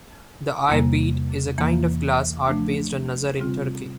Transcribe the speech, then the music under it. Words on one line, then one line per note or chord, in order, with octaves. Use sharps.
The eye bead is a kind of glass art based on nazar in Turkey.
E2 C3 G3 A#3
E2 E3 A#3
F3 A3 D4
C3 G3 C4 F4